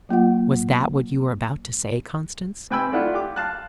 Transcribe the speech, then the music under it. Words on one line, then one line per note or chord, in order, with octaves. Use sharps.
"Was that what you were about to say, Constance?"
F#3 A#3 F4 F#5
C3 B4 G5 G#5 B5 E6
A3 D4 E4 F4 F#5
G4 D6
F5 A5 F#6